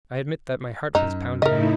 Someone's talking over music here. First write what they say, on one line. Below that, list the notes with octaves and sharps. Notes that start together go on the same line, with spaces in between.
I admit that my heart was pounding.
F#2 D#4
A2 C#3 D#4 E4 A#4 D#5